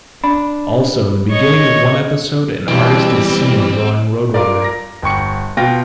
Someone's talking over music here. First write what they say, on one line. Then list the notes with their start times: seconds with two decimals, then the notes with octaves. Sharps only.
Also, in the beginning of one episode, an artist is seen drawing Road Runner.
0.24 D4 B5
1.30 C#5 D#5 C#6
2.68 B2 E3 G3 C4
4.34 F4 A#4 D5
4.62 A#5 A#6
5.02 G1 G5 C#6 C#7
5.57 B2 F4 G5 A#6